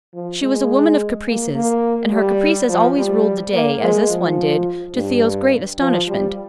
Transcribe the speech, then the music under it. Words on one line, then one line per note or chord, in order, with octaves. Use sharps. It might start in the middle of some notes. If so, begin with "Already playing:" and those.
She was a woman of caprices, and her caprices always ruled the day, as this one did, to Theo's great astonishment.
F3
G#3
A#3
A#3
G3
F3
G3
A#3
G#3
F3
G2
F3
G3